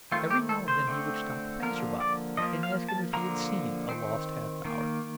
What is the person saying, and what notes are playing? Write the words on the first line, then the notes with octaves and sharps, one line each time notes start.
Every now and then he would stop a passer-by and ask him if he had seen a lost half-hour.
D#3 A3 C4 F4
G4
A4
C5
D3 A3 C4
D3 F3 A#3 A#4
D5
F3 A#3 D#5
F5
A5
D3 F3 A#3 A#5
D#3 A3 C4
D#3 A#3